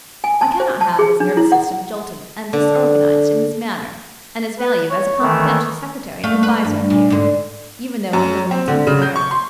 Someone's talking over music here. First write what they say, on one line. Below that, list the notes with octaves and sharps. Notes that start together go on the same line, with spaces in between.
I cannot have his nervous system jolted and disorganized in this manner, and his value as a confidential secretary and adviser impaired, even though it be only temporarily.
G#5
A5
C5
A5
G#4
D4
E4
F#5
D3
B4
C#5
D#3 E3 A3
A3 F5
B4
G2
A#2
G#2 D3
F#2
C4
D3
C#3
G6
C#6
C6